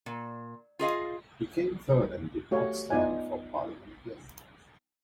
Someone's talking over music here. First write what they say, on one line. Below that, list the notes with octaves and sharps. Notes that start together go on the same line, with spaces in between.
He came third and did not stand for parliament again.
A#2
F4 G#4 D#5 F5
A3 F#4 G4 C#5 F5
B3 D#4 F4 D5 G#5